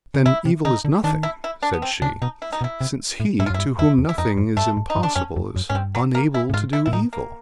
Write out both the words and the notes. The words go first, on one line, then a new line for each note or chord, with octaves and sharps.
'Then, evil is nothing,' said she, 'since He to whom nothing is impossible is unable to do evil.'
C#3
C3 E4
C3
D3 D#4
D3
D#3 D4
E4
E4
D4
B3
C4
C#3 D4
B2 D#4
E4
D#4
B2
E4
C3
A2
G#2 E4
F4
F#2
E4
G2
F2 E4
E2
E4
F2 D#4
F#2
G2 A3
G#2
D#4
G2
D4
F#2 C#4
F2
F#2
G#2 C#4
G2 C4
F#3
A#3
E4
A2
G#2 F4
E4
A#2 E4
A2 D#4
A#3